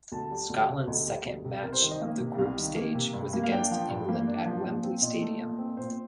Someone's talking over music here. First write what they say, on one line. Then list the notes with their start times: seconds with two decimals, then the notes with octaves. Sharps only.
Scotland's second match of the group stage was against England at Wembley Stadium.
0.12 D2 A5
0.31 G3
0.50 D2
0.69 C3
0.87 D2 D#5
1.07 G3
1.26 D2
1.45 C3
1.63 C2 A#4
1.72 C5
1.82 D#3
1.91 D#5
2.01 A#3 F5
2.19 C3
2.38 C2 F5
2.57 D#3
2.76 A#3
2.95 C3
3.13 G2
3.33 A#3
3.43 F5
3.52 D4 G5
3.71 F3
3.89 G2
4.09 A#3
4.27 D4
4.46 F3
4.65 A#2
4.83 C4
5.02 A#2 D#5
5.22 A3
5.41 A#2
5.58 C4
5.77 A#2 C5